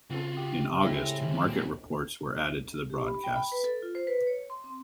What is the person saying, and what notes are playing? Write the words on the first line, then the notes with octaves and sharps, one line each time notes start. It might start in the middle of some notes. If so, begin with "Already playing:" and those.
In August, market reports were added to the broadcasts.
C#3 C4 C#4 F4 F#4 A4
G4 D#6 B6
A2 G#3 C4 E4 A4 G#5 B5 B6
D2 D#3
A#2 D3 F3 C4 B4
G4
B5
G5
B5
B4
A4
F4
C5
B4
C#5
C6
C4